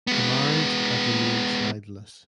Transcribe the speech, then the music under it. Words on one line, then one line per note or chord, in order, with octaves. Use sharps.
The marriage had remained childless.
G#3 B3